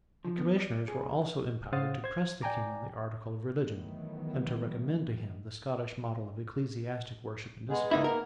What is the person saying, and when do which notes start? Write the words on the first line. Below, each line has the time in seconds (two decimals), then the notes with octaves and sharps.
The commissioners were also empowered to press the king on the article of religion, and to recommend to him the Scottish model of ecclesiastic worship and discipline.
0.25 F3
0.38 B3
0.58 D5
0.88 G#4
1.73 C#3 C5 F5 F#5 D#6 A6
2.04 C5 G#6
2.42 D5 G5 G#5 A#5 D6
3.57 D#3 E3 F#3 A3 B3
7.70 G#3 B3 G#4
7.91 C#2 A#3 B3 D#4 E4
8.04 A#4